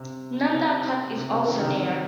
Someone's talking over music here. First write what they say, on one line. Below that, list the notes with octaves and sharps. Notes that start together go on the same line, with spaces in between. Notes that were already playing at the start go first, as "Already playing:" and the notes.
Nanda Khat is also near.
Already playing: C3
C3
C3
C3
D#3
D#3
C3